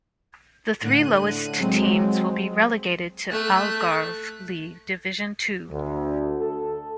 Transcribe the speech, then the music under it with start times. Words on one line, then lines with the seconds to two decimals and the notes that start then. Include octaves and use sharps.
The three lowest teams will be relegated to Algarve League Division Two.
0.81 A2 D3 F#6 D#7
1.58 F#3 G#3 C4
3.31 A3 F#6
5.72 D2
6.40 A4